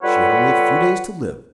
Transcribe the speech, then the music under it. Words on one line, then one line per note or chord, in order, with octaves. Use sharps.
She had only a few days to live.
G3 F4 A4 B4 C#5 F#5